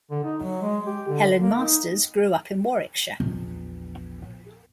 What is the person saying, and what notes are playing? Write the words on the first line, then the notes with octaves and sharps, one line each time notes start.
Helen Masters grew up in Warwickshire.
D3
D#4
F#3
G#3
G4
D3
A#3
D#4
A#1 E2